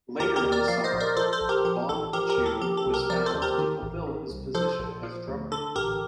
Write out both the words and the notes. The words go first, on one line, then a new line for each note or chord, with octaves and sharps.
Later in the summer, Bonb-Chu was found to fulfill his position as drummer.
D#2 G4 A#4
G4 A#4
D#2
A#4 D5
F3 D5 F5
C5 D#5
A#1
A#4 D5
F3 A4 C5
A4 C5
A#1
G4 A#4
F3 G4
A1 A4
F3 G4 A#4
G4 A#4
D#2
A4
F3 G4
A4
C2
G4 A#4
F3 A#4 D5
A4 C5
D#2
G4 A#4
D#3
A1
D#3
C2
F3 A4 C5
A#1
F3
D2
D3 A4
A1 G4 A#4